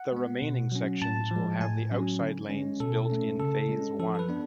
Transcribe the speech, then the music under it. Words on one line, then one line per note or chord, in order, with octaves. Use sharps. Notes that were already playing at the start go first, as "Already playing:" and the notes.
The remaining sections will have the outside lanes built in Phase One.
Already playing: F#5
G#3 B3
B2
F#3 C#4
A2 A5
F3 G#3
A2 G#5
F#3 C#4
D3
G#3 C#4
B2 A4
A3 C#4
C#3 A4
G#3 C#4
F3 A4
A4
B4
B3 D4